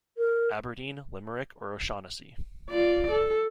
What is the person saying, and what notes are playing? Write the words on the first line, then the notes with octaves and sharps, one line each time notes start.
Aberdeen, Limerick or O'Shaughnessy.
A#4
F4 D5
A4